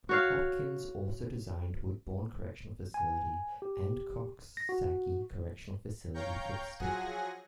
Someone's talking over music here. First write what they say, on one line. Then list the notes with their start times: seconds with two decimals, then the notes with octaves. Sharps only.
Hopkins also designed Woodbourne Correctional Facility and Coxsackie Correctional Facility for the state.
0.09 F#4 C#5 F5
2.94 G#5
3.62 G4
4.57 A#6
4.69 F#4
6.14 C#5 F5 G5 A#5 C#6 G6
6.79 F3 F#3 G#4 F#5 G#5 A#6